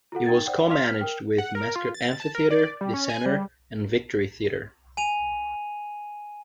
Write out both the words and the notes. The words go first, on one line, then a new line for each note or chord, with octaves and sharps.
It was co-managed with Mesker Amphitheatre, The Centre, and Victory Theatre.
F4 F#4 A4 F#5
D#4 A#4 G5 G#6 A6
C5 D5 F#5 G5
D#5 F5 C6 F6 B6 F7
F6 B6
A#4 G5 F6
F#5
A#4
F4
A6
A5
A#4
D5
G3
C#4
G#5
G3
G#5 D#7 F7